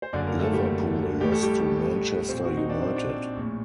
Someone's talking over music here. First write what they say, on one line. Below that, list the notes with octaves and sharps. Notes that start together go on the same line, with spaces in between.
Liverpool lost to Manchester United.
C5
F#1 F#2 D3 D4 D5
A#3 A#4
A3 A4
G3 G4
A1 A2 G4
A4
G3 G4
A#1 A#2 C4
F#4
D#4
D4
C4
D4
C4
A#1 A2